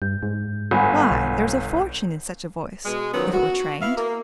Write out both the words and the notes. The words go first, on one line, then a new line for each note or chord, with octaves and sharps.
Why, there is a fortune in such a voice if it were, trained!
G2 G6
G#2
G1 F#5 G#5 B5
B1
B2 G#3
D#3 F3 F#3 B3 C#4
F#4
B3 E4 E5 F5
A#3